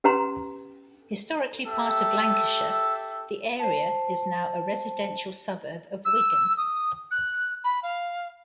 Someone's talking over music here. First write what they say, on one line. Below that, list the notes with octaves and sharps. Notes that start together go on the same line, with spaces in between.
Historically part of Lancashire, the area is now a residential suburb of Wigan.
C#4 G4 B4 F#5 A#5 C6
G4 A4 E5
C5 A5
E6
D#6
F#6
B5
F5